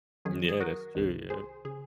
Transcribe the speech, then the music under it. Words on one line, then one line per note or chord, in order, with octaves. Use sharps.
Yeah, that's true, yep.
F#2 D#3 F#3 C#4 G#4
G#4
F#4 A#4
C2 C3 D#3
G#4 C5
C#3 G#4